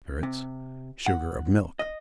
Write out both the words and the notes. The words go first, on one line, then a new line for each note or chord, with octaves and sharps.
Spirits. Sugar of milk.
C3
F#5
D#5